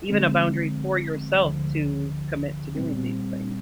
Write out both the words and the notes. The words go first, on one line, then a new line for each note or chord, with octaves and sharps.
even a boundary for yourself to commit to doing these things.
D3 F3 G#3 C4
D2 D3 F3
A#2 G3 C4